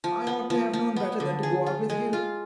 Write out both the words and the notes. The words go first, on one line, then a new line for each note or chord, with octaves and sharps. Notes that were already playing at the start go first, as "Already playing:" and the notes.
I ought to have known better than to go out with you.
F3
B3
F3
F3
B3
D3
G#4
F4
G#3
F4